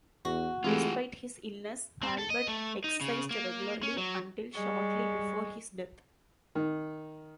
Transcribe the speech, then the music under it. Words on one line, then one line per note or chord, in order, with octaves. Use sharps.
Despite his illness, Albert exercised regularly until shortly before his death.
E2 F#4
E3 G#3 A3 C4 F4 G4
C4
A4
D#5
A3
D#4
C#3
A#3
C#4
F#3
G3 G#3 C#6
D#3